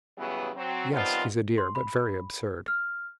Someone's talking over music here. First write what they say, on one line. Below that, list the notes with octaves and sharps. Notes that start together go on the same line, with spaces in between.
"Yes, he's a dear, but very absurd."
C#3 E3 F#3 G3 B3
F#3 C4
D#3 F3 G3 B3 C4 F4
C6
B5
F6